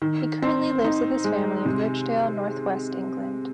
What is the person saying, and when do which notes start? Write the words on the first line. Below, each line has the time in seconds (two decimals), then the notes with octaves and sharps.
He currently lives with his family in Rochdale, North West England.
0.02 D#3
0.42 C4
0.84 D#4
1.24 G#3
1.65 C3